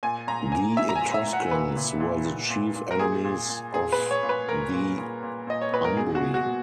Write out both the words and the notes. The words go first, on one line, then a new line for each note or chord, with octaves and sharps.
The Etruscans were the chief enemies of the Umbri.
A#2 G#5
A#2 A#5
A#2 G#5
A#2 E5
A#5
G#5
A#2
E5
A#2
F#5
A#2 B4
A#2
A#2
A#2
A#2
A#2
A#4
A#2 G#4
A#2
A#2
A#2 G#4
B4
A#2
C#5
A#2
B4
A#2 A#4
A#2
A#2
A#2
A#2 D#5
C#5
A#2 B4
A#4
B2 G#4
F#4
B2
F#4
B2